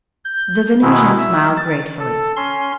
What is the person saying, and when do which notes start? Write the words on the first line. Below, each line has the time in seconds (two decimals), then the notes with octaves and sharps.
The Venusian smiled gratefully.
0.24 G6
0.82 B2 D#3 G#3 E4
1.18 E5
1.57 A6
1.99 A4
2.36 C#4 C6